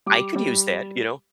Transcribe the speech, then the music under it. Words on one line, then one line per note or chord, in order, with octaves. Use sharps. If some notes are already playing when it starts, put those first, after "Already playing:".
"I could use that," you know.
G3 D6
G3